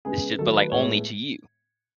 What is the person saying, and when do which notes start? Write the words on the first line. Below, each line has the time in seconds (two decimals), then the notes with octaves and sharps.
It's just but, like, only to you.
0.05 C#3 G#3 B3 G#4
0.38 D#3 F#3 A3 A4
0.55 B4
0.72 A2 G#3 B3 C#5